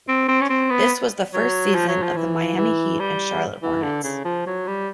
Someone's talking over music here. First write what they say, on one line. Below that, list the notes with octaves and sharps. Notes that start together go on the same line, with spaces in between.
This was the first season of the Miami Heat and Charlotte Hornets.
C4
C4
C#4
C4
B3
F#3
F3
F#3
F3
E3
E3
G3
E3
D3
C#3
F3
F#3
G3